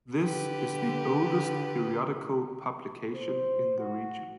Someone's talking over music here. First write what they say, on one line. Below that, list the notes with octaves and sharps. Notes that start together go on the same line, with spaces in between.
This is the oldest periodical publication in the region.
D3 G4 B4
C5
F#4